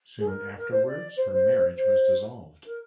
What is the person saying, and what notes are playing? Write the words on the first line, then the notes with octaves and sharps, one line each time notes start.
Soon afterwards her marriage was dissolved.
G#4
A#4
A#4
C5
D5
C5
C5
C5
A#4